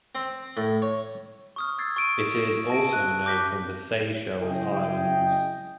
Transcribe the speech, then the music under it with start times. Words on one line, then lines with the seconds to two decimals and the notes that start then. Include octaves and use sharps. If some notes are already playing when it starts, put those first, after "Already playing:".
It is also known from the Seychelles Islands.
0.15 C4
0.57 A2
0.82 C#5
1.56 C#6 D#6 F6
1.78 E6 G#6 A6 C7
1.96 C#6 D7 D#7
2.70 A5 A#6 D7
2.91 F#6 D#7
3.26 D6 G6 A#6 B6
4.42 C#3 F#3 E4 G#4 D#5 G5